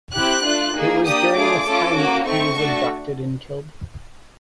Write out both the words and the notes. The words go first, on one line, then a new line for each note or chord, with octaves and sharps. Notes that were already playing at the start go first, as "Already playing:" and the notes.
It was during this time that he was abducted and killed.
C4 E4 G4 F#6
A3 D4 F4
A#3 D#4 G#4
A#3 D4 G4 D#6
A3 D4 F4 G#4 D6
A3 C#4 F4 A4
A#3 C#4 F#4
A3 C4 D#4 C#6
A3 D4 F#4 A4